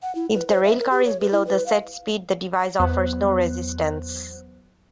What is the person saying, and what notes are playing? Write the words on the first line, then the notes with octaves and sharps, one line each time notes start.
If the rail car is below the set speed, the device offers no resistance.
F#5
E4
B4
C5
E5
A#4
G4
C#5
B4
E4
B4
F5
E2 F#3 B3 C5 F#6